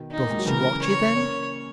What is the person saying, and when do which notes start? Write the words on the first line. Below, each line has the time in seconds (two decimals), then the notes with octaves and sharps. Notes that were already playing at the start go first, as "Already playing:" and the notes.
"Doesn't she watch you, then?"
Already playing: B2 D#3
0.11 D#4
0.22 A#3
0.30 G#3
0.39 F#3
0.46 C#3 E3 A#4
0.82 C#5
1.16 A#3 C#4